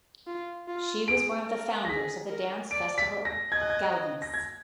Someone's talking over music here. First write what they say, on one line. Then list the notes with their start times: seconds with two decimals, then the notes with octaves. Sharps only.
She was one of the founders of the dance festival Gaudeamus.
0.27 F4
0.68 F4
1.08 G#4 D7
1.49 A#4
1.85 A#6
1.89 G#4 B6
2.30 A#4
2.71 D5 D7
2.98 B6
3.25 A#6
3.52 D#5 G#6
3.61 F#6
3.70 G#6
4.22 A#6
4.34 G#6